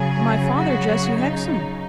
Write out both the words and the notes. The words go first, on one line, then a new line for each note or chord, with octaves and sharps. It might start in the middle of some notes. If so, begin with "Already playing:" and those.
'My father, Jesse Hexam.'
Already playing: C#3 F#3 G#4
F#4
D#4